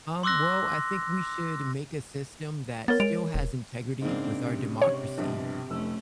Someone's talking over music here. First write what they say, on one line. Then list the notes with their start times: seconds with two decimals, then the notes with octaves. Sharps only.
Um, well, I think we should make a system that still has integrity with our democracy,
0.23 C6 D6 E6 F#6 A#6
2.88 B3 A#4 C#5 A6
3.00 G#3 D7 F7
3.34 E1
4.02 G#2 C#3 A#3 C4 D4
4.40 C3
4.82 C3 C#5
5.18 A#1 G2 B2
5.70 F1 A3 C#4 E6